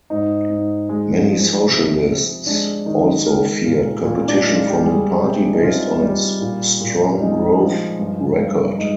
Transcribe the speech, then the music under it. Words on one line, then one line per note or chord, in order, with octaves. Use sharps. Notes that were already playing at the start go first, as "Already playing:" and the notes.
Many socialists also feared competition from the party based on its strong growth record.
G#2 D#4
G#2
G#3
F3
C3
C3
G#3 D4
D#3 D#4
G#3 A#4
A#2
A#2
D4
G#3 D#4
F4
G4
G3 G#4
C3 G4
D4
D#4
C3 F4
G3
A#2
A#2
G#3 D#4
F3
G2
G2
G#3 D#4